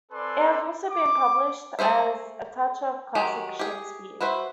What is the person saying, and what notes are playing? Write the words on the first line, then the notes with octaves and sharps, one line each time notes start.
It has also been published as A Touch of Classics - Shakespeare.
C4 A4 B4 D5 G#5 C6
D6
A3 D4 G#4 C5 E5
D#3 F#3 G#3 G4
G4 G#4
E4 F#4 B4 C5 E5